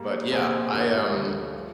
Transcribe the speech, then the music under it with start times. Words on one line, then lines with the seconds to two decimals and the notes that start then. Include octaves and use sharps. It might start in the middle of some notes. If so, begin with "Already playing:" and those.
But, yeah, I, um,
Already playing: G#2 G3 A#3
0.32 C2 A#2 G3 A#3 G#4 C5
0.72 G2 D#3 G3 A#3 G4 A#4
0.93 G4
1.13 D2 D3 F3
1.55 F3 G#3